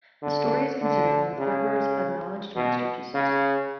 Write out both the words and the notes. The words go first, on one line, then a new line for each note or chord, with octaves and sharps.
The story is considered one of Thurber's "acknowledged masterpieces".
D3
D3
C#3
B2
C#3